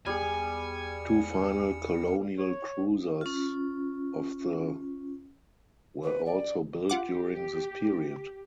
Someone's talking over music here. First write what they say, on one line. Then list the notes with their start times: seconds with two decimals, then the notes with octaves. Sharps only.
Two final colonial cruisers of the were also built during this period.
0.06 E2 G3 B3 G#4 G#5 C#7
2.38 C#5
3.21 C#4 F4
6.02 B4
6.25 D5
6.90 F4 G4 F#5 D6